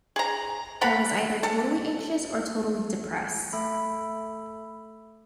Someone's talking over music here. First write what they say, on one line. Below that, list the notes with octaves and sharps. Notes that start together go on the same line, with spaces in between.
I was either totally anxious or totally depressed.
G#4 A#5
A4 F#5 A#5 B5
A4
A3 A4 B5